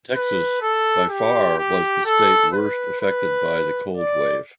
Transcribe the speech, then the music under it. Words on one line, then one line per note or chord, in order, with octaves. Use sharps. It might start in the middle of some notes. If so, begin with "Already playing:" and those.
Texas by far was the state worst affected by the cold wave.
B4
A4
G4
G4
A4
B4
B4
D5